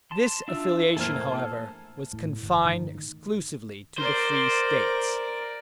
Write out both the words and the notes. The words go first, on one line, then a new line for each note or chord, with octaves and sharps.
This affiliation, however, was confined exclusively to the free States.
A5 C6
D4 F4 E5
A2 A#3 A4 C5 G#5 F6
A2
G1
D#3
A#4 C5 D5